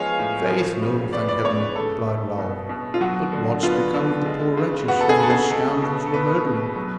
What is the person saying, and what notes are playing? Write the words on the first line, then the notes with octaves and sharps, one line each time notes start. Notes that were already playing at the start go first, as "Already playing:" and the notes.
"Faith, no, thank Heaven!" replied Raoul; "but what has become of the poor wretches whom these scoundrels were murdering?"
Already playing: F3 G#3 B3 C#5 F5 G#5
A2
F3
C#3
B3 D5
D5
C#3 C#5
B4
A3 A4
A3
B2
B2
F4
F#3 F#4
D3
B3 F4
D3
G#3
C#3
B3 F#4
A4
G#4
C#3 A4
G#4
G#3 A4
B2
A4
B3 B4
B2
F#3